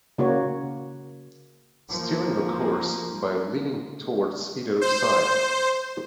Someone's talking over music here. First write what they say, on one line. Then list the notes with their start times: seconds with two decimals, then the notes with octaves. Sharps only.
Steering occurs by leaning towards either side.
0.18 C#3 A#3 F#4 C#5
1.90 F3 A#3
4.81 C5